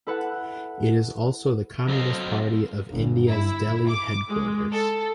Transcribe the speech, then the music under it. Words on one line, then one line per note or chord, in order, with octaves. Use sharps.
It is also the Communist Party of India's Delhi headquarters.
E4 A4 B4 F#5
F#3 C4 A4 B4 D#5 F5
G1
E4
D6
G#3
A4